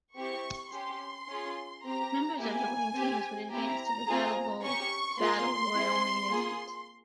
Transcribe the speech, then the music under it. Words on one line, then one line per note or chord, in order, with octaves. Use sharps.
Members of the winning teams would advance to the BattleBowl battle royal main event.
C4 E4 G4 C#6
C#4 G4 C6
C#4 F4 G#4
C4 G4 A#5
A#3 E4 G4 G#5
C4 G4
C4 E4 G4 A#5
C4 F4 G#4
C#4 G4 C#6
A#3 F4 G#4 C6
C4 E4 G#4
A#3 F4 G#4